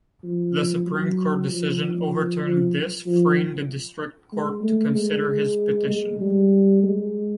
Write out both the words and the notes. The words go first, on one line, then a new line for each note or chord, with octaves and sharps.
The Supreme Court decision overturned this, freeing the District Court to consider his petition.
F3
F#3
F3
F3
F3
G#3
A3
G#3
G#3
G3
G#3